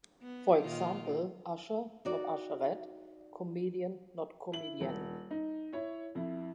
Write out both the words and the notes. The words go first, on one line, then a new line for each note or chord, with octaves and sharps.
For example, "usher", not "usherette"; "comedian", not "comedienne".
B3
A#2 D#3 F4
D#4 F#4 D5
E4 F#7
D#1
D#4
E4 C#5
F2 E4